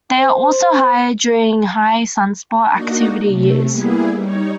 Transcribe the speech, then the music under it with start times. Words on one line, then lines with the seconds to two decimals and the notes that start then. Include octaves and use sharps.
They are also higher during high sunspot activity years.
0.19 C5
2.69 A#3 D4 D#4 F#4
3.27 C3 A3
3.70 G3 A#3 B3 E4 G#4
4.16 G3 D#4 C#5